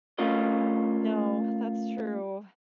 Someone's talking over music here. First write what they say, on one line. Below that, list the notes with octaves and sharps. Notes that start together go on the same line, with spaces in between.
No, that's true,
A3 C#4 F4 A#4 D#5